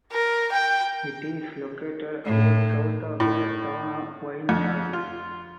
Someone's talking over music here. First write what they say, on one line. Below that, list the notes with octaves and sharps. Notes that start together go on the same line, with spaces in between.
It is located about south of the town of Wynyard.
A#4
G5
A2
A2
F2
F4